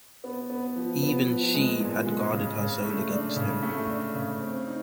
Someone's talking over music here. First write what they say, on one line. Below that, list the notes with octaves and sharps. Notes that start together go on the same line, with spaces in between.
Even she had guarded her soul against him.
B3
B3
F3
B3
F3
G#3
A#2
G#3
C#3
C#3
A3
D4
C#3
A3
D4
C#3
C4
D#4